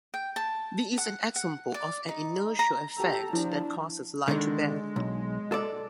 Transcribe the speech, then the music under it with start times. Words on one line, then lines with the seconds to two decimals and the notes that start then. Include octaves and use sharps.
This is an example of an inertial effect that causes light to bend.
0.14 G5
0.36 A5
0.98 F#5
1.36 F#5
1.74 D5
2.09 D#4
2.59 A#5
2.97 G4 A4 A#5
3.33 F3 D4 E4
4.28 D3 D#3 G#3 D4
4.96 B1
5.52 A4 D5